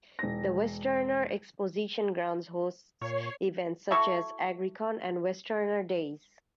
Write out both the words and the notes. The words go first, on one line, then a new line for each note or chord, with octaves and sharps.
The Westerner Exposition Grounds hosts events such as Agricon and Westerner Days.
E1 A#6
A#2 C#5 C7
E4 F#4 A4 C#6